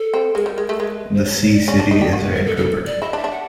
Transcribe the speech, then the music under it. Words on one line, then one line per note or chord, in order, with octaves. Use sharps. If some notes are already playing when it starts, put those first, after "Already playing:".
The See city is Vancouver.
Already playing: A4
C4
G#3 A#4
G3
G#3
A3
G#3 B4
C5
C#5
C#5
D5
C#4 D5
D4
D#4
G4 D5
F#4
B4
A#4
A4
A4
D5
E4 D#5
D4
E5
D4
F#5